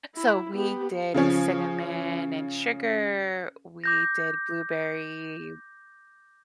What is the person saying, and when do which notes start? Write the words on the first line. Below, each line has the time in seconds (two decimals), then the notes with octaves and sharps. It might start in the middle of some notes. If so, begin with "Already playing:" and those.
So, we did cinnamon, and sugar. We did blueberry
0.15 E4
0.54 B3 G4
1.14 C#3 F3 C#4
3.84 D6 G6 A#6